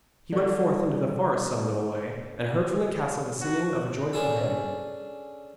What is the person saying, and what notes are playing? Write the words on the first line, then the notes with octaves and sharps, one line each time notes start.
He went forth into the forest some little way, and heard from the castle the singing of a joyful hymn.
D3 G3 D5
F#4
C#4 D4 G#4 A4